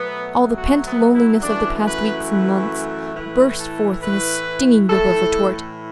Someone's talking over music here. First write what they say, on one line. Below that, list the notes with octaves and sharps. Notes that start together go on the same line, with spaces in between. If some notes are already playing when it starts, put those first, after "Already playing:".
All the pent loneliness of the past weeks and months burst forth in a stinging whip of retort.
Already playing: B2 F#3 A3 B3
F#4
B3
E4
F#2 E3 A3 D4
B4
B4
B4
A2 E3 A3 B4
A4
B4
A2 E3 A3 A4